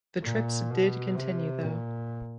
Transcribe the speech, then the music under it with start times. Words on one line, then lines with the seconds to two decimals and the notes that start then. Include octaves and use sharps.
The trips did continue though.
0.23 A#2
0.70 B2
1.16 C3
1.63 A#2